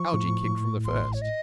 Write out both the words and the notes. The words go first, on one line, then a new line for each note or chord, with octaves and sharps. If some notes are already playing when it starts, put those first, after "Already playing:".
Algie kicked from the first.
Already playing: F3 C#6
A2
A2
A1 C6
C#5
D#5